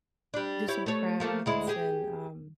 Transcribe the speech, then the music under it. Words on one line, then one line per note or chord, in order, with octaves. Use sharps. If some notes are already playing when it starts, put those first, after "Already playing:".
do some crafts and, um,
G3 D4
E4 G4 C#5
A3 C#5
F3 A3 A#3
D2 G#3 E4
G4 G#4